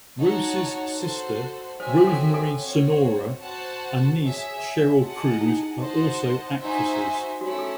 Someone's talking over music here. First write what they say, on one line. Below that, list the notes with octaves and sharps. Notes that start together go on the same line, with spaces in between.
Roces' sister, Rosemarie Sonora, and niece Sheryl Cruz are also actresses.
D#4 F#4 C#5 D#5 F#5 A5
F#4 A4 C5
C4 F#4 C5 C#5 E5 G#5
A4
A4
C4 F#4 C#5
F#4 C5 F#5 A5
G#4 C#5 E5
F#4 G#4 D#5 F#5 A5
D#4
E4
F#4 C5 D#5 F#5 A5
D#4 F#4 C5 E5 G#5
A3 C#4 E4 F#4
A4